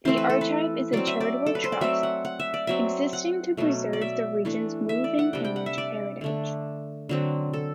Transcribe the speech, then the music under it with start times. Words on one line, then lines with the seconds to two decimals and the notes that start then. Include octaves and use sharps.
The archive is a charitable trust, existing to preserve the region's moving image heritage.
0.05 E3 A3 C4 C5
0.17 B4
0.30 A4
0.41 B4
0.93 F#3 C4 D5
1.07 E5
1.20 D5
1.46 A4
1.55 B4
1.64 C5
1.72 D5
1.81 F#3 A3 C4 E5
2.03 F#5
2.25 F#5
2.40 E5
2.54 D5
2.67 F#3 C4 E5
3.13 F#5
3.57 B2 F#3 A3
3.93 D5
4.01 E5
4.45 E3 A3 D4
4.89 E5
5.04 D5
5.19 F#5
5.33 C3 G3 D4 G5
5.44 G5
5.56 F#5
5.66 E5
5.78 D5
6.21 D3 A3 D4
7.09 D3 F#3 C4
7.53 A4